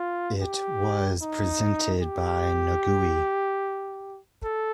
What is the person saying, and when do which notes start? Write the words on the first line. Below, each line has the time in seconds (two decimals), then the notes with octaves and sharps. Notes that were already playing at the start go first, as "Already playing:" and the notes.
It was presented by Nagui.
Already playing: F4
0.41 G4
1.22 D#4
2.02 G4
4.43 A4